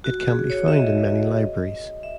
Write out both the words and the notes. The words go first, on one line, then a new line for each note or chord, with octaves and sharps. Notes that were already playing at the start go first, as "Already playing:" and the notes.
It can be found in many Libraries.
F#4
F#4
G#4
C#5
E5
D#5
E5